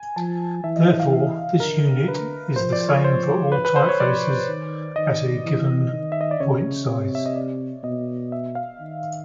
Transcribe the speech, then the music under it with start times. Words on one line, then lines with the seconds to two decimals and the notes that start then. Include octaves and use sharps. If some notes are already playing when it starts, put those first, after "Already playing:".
Therefore, this unit is the same for all typefaces at a given point size.
Already playing: G#5
0.16 F3 A5
0.64 E3 E5
0.76 D#5
0.88 E5
1.00 F5
1.13 E5
1.60 D3 A#4
2.08 B4
2.56 F3 C5
2.73 D5
2.89 C#5
3.04 C5
3.52 B4
3.65 B4
3.76 C5
3.89 C#5
3.99 F3 D5
4.48 D#3
4.96 D#3 D#5
5.44 E3
5.92 D#3
6.12 E5
6.21 D#5
6.31 D5
6.40 C#3 C#5
6.89 C3
7.15 E5
7.26 D#5
7.35 D5
7.83 B2 D#5
8.32 E5
8.55 F5
8.80 D#3